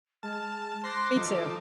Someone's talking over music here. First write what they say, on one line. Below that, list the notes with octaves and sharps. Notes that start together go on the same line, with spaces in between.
Me, too.
G#3 A5 F6
C5 C6 D6 F#6 A#6 C7
F3 D#4 A4